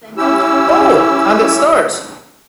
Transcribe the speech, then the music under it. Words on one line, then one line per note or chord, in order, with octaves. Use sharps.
Oh! And it starts!
C#4 E4 G4 E6